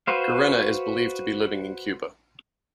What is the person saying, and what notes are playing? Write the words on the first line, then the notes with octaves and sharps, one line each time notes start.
Gerena is believed to be living in Cuba.
F#4 B4 C5 F5